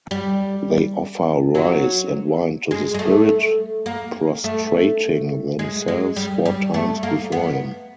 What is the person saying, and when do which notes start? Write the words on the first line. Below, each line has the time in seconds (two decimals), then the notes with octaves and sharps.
They offer rice and wine to the spirit, prostrating themselves four times before him.
0.11 G3
1.55 F#3
2.71 G#3
2.94 G#3
2.99 A3
3.86 A#3
4.44 A3
5.59 G#3
5.88 G#3
6.16 G3
6.45 G3
6.74 A3
7.03 A#3
7.32 B3